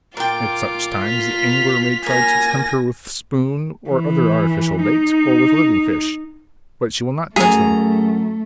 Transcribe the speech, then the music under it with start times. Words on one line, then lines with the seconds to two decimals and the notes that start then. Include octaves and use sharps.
At such times the angler may try to tempt her with spoon or other artificial bait, or with live fish, but she will not touch them!
0.17 A#2 F4 G5 D6
1.04 B6 F7
2.06 A#3 C#4 G#5 A#6
3.90 E3
4.83 D#4
7.36 F#2 A3 G#4 A#5